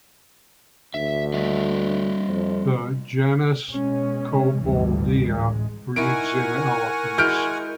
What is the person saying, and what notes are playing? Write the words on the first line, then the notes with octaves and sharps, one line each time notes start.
The genus "Cobboldia" breeds in elephants.
D2 E5
G3 D#5 E5
F2
B2 G#3 C#4
F#1 D2 G#2 E3 G3
A1 G#3
D#4 E4 A#4 F#5 G#5 C#6 D7
G#3 E4 F#4 F6 G6 D7